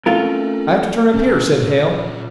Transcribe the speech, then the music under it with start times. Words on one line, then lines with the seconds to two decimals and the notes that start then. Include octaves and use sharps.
"I have to turn up here," said Hale.
0.06 A3 C4 C#4 F4 A#4
1.14 A#2 C#4